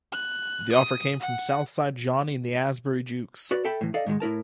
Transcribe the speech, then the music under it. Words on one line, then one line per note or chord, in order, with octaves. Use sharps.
The offer came from Southside Johnny and the Asbury Jukes.
F#6
D#6
F#5
F#4 B4 D5
A4 E5 G5 A5 B5
A2 E3
D#4 A4 D5 D#5 F5
G#2 D#3 F#3 G#3
A2 E4 A#4 A5